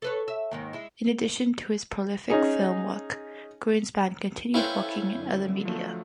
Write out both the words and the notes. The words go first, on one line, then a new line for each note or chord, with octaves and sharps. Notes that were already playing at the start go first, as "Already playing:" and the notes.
In addition to his prolific film work, Greenspan continued working in other media.
A4 B4 C#5
E5
D#2 G#2 D#3
G#3 E4
C#4 D#4 G#4
C#4 E4 A4 B4 C5 F5 G5
F#2 D3
F3 F#3 A3